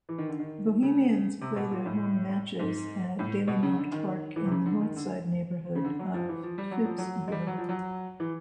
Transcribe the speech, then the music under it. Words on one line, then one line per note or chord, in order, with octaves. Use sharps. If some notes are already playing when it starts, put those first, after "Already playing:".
Bohemians play their home matches at Dalymount Park in the Northside neighbourhood of Phibsborough.
E3
D#3
D3
D#3
C#3
C3
B2
A#2
A2
G#2
A2
B2
C#3
D3
D#3
E3
C3
C#3
D3
D#3
D3
C#3
D3
F#3
F3
E3
F3
G3
F#3
F3
F#3
G#3
G3
F#3
F3
F#3
E3